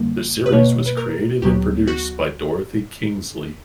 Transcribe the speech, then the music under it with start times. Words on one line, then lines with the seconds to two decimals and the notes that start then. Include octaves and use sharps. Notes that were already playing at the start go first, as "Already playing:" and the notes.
The series was created and produced by Dorothy Kingsley.
Already playing: F#2 D3 G3 A#3
0.46 B4
0.52 B2 A#3 C#5
0.86 B4
0.97 A#4
1.42 D2 C#3 F#3 B3 G4
1.88 F#4